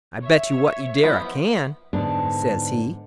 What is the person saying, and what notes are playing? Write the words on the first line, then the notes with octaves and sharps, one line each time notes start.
"I bet you what you dare I can," says he.
C#5 E5
F3 B3 E4
G#2 D3 B3 D4